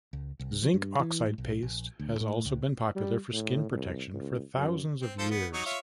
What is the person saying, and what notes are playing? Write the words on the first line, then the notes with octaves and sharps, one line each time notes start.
Zinc oxide paste has also been popular for skin protection for thousands of years.
C#2
C2
F3
G2
E3
A2
B1
A#1
D2
A2
C#2
G3
A2
C2
C#2
F#2
C4
F3 A4 C5
B3
F#3 D#4 C#6
F4 C#5 E5